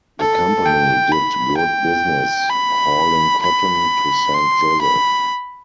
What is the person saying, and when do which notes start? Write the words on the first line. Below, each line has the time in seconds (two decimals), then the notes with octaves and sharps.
The company did good business hauling cotton to Saint Joseph.
0.20 A4
0.65 G5
1.12 B5
1.57 G5
2.50 B5
3.42 B5
4.34 C6
4.81 B5